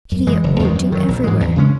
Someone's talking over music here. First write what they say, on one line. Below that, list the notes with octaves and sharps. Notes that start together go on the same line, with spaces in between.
Pity it won't do everywhere!
F#2
E3 G#3
F#1
E2 D#3 G#3
F#2
D#3 F#3
A#1
G#2 E3 G#3
E2
C#3 G#3 C#4